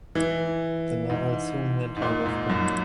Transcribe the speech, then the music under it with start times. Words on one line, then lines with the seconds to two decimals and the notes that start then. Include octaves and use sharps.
The novel soon went out of print.
0.15 E3
1.10 G#2
1.97 G#2
2.02 A#2
2.26 G#2
2.50 F#2